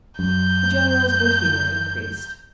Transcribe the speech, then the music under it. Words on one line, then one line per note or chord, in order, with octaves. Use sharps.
The general's good humour increased.
F#2 G6